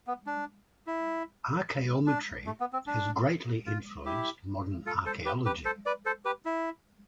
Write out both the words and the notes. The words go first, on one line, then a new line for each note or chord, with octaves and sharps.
Archaeometry has greatly influenced modern archaeology.
B3
D4
E4
D4
A3
B3
C4
D4
F4
E4 G4
F4 A4
A4 C5
G4 B4
G4 B4
A4 C5
B4 D5
A4 C5
G4 B4
E4